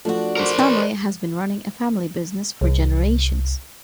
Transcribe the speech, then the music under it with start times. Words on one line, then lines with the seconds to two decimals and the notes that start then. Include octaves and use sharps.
His family has been running a family business for generations.
0.05 F3 A3 D4 F#4
0.37 A#4 C5
0.58 E3 D5
2.61 C2